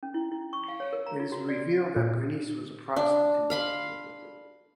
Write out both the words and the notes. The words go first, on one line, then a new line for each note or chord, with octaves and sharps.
It is revealed that Bernice was a prostitute.
C#4
E4
E4
C#6
F5
C#5
A#4
A#5
F4
F#4
D5
A#2
D4
F5 B5 C6